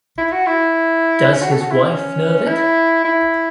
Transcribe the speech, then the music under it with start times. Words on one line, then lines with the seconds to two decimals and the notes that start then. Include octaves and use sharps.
Does his wife know of it?
0.18 E4
0.32 F#4
0.47 E4
1.33 C#4
1.42 F#4
1.52 A4
1.61 F#4
1.71 E4
1.90 C#4
2.47 E4
3.05 E4